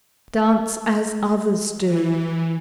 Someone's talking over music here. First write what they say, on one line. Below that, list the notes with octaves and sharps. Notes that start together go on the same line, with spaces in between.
Dance as others do.
E3